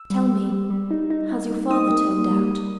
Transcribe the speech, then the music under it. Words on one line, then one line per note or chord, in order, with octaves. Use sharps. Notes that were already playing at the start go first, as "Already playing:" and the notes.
Tell me, has your father turned out?'
Already playing: E6
G3
G3
G3
G3
D#4
D#4
D#4
A#3
D#4 D#6
A#3
A#3
G3
G3